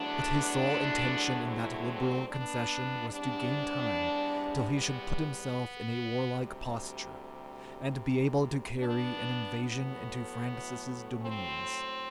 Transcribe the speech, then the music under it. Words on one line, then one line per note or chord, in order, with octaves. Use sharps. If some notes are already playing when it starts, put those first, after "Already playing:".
But his sole intention in that liberal concession was to gain time till he should put himself in a warlike posture, and be able to carry an invasion into Francis's dominions.
Already playing: E2 D3 F#3 A3 B3 D4
C4 E4
C4
B3 D4
E2 C3 G3 B3 D4
B3
D2 C3 G3
B3 D4
A2 F#3 A3 B3
C4